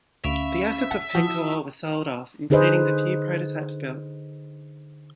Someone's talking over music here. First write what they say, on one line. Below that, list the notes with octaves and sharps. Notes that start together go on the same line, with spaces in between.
The assets of Pancor were sold off, including the few prototypes built.
D2 C#4 E5 F5 B5 D7
F#5 A5
F3 E4 F#4 A5 D#6
D3 D#4 G#4 B4 C5 D#5